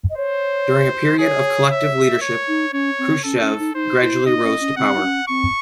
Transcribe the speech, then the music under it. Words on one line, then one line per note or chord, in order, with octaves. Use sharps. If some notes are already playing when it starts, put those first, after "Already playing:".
During a period of collective leadership, Khrushchev gradually rose to power.
D#5
C5 C#5
G#4 C#5
E5
C#5
D#4
C#4 C#5
C4
C#4 A4
C#4
D#4
D#4 C5
E4
D#4 D#5
C#4
C#4
C4 F#5
D#4
C#4
C4 C#6